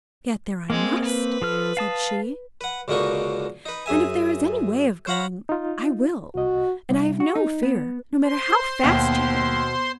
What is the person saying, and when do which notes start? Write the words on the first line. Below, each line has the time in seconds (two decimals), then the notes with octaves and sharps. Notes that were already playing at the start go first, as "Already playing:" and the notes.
"Get there I must," said she; "and if there is any way of going I will; and I have no fear, no matter how fast you go."
0.70 G#3 A#3 C4
1.05 B4
1.42 F3 A4 F6
1.77 F5 A5 D#6
2.61 B4 F#5
2.88 C#2 B2 D3 A#3 D#4 C#6
3.66 D#4 B4
3.86 F#2 G#4 E5 G#5
5.07 C5 C#5 F5 F#5 A#5 B5
5.49 D#4 F4
6.35 C2 F#4 D#5
6.90 C2
7.20 F#4
7.35 D#4
7.63 B3
8.24 C5 C6
8.83 D#2 B2